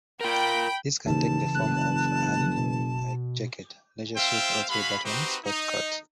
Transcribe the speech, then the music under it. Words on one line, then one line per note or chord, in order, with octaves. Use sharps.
This can take the form of an Ike jacket, leisure suit or three-button sportcoat.
F4 A#4 G5 B5
D#2 C#3 E3 A5
F#1 F#6
B2
C4 F4 C5 E5 F5 G5
G#3 F#4 F5 B5
C4 D#4 F#4 G4 B4 C5
D#4